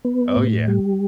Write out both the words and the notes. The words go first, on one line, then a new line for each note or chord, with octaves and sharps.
Oh, yeah
B3
A2
G3